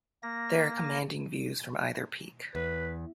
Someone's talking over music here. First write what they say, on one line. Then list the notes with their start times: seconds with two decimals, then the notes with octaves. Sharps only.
There are commanding views from either peak.
0.23 A#3 A#6
2.55 E2 B4